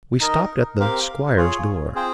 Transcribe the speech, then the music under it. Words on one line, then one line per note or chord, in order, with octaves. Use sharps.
We stopped at the 'squire's door.
D#4 A#4 D#5
C4 G4 A#4 F5
F4 G#4 C#5
C4 F4 G#4 C5 G5